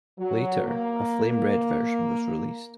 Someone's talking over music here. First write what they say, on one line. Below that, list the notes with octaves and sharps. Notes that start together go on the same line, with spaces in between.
Later, a Flame Red version was released.
F#3
A#3